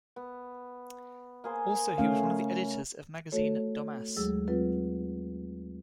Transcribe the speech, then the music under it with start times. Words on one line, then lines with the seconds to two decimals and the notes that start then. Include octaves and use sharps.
Also he was one of the editors of magazine "Domas".
0.16 B3
1.44 A#3 G#4 C5
1.98 A3 C#4 F5
2.23 C#3
3.32 A3 F#4 A4 C#5
4.17 D#2 F#3 G#3 G#4 E6
4.48 F#3 C4 F4 B4